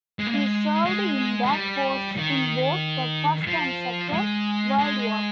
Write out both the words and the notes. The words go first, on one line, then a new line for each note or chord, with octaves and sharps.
He served in the forces in both the First and Second World Wars.
G#3
A#3
G#3
G#3
G#3
G3
D#3
F3
G#3
G#3